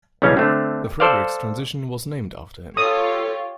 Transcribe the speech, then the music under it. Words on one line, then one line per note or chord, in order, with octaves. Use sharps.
The Frederiks transition was named after him.
B1 C#3 E3 G3 C#4 F5
D3 A3 C4
A4 C5 D5 F5
F4 G4 A4 C#5 D#6